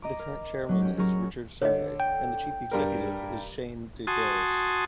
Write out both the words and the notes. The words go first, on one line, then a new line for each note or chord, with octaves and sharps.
The current chairman is Richard Sumray, and the chief executive is Shane Degaris.
D#5 A#5 D6
A#4
F#3 C#4
C#4 G4
F#3 G#4 A#4 C#6
D3 C#5 D#5
G5
G2 G3 A#4
F#4 G#5 A5 C6 D#6